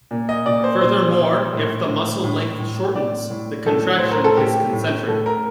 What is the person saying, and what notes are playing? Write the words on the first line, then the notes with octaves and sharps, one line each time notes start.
Furthermore, if the muscle length shortens, the contraction is concentric.
A#2
D#5
A#2 D5
C5
A#2 C5
A#2
A2
A2
A2
A2
A2 D5
A2
A2 A4
A2 C5
A#4
A4
A2 G4
A2
A2 A4
A#4